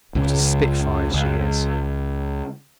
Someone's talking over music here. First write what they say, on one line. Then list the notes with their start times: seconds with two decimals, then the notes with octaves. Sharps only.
What a spitfire she is!'
0.15 C#2 C#3
1.14 C#2